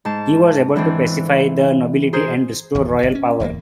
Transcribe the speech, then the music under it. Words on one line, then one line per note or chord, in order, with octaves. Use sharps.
He was able to pacify the nobility and restore royal power.
G#2 A5
G#2 E3 C4 D4
G#4 A#4 C5
G#1 E2
G1 C3
C#4
D1 E2 F#3 A#3